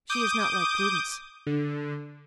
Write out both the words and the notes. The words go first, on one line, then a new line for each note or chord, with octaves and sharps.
"She is not like Prudence."
D6 D#6 G6
D3